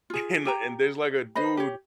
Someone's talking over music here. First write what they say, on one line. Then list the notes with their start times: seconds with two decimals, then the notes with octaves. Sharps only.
and and there's, like, a dude
0.10 F4 G#4
0.45 G4 G5 A#5
1.35 B4 C5 D#5 B5
1.57 G4 C#5